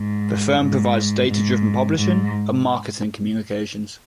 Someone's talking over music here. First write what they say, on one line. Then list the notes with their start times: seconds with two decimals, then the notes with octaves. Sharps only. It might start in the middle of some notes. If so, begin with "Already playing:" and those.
The firm provides data-driven publishing and marketing communications.
Already playing: G#2
0.60 G#2
1.28 G#2
1.97 G#2